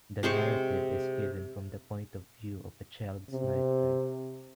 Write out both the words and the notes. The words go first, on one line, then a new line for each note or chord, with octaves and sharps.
The narrative is given from the point of view of a child's nightlight.
C3 G#3 C5 C#6
C3